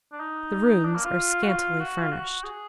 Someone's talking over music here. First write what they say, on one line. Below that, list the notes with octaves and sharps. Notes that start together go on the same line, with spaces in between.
The rooms are scantily furnished.
D4
D#4
D4
A#3
F4
F#4
F4
F#4
F4
F#4
G#4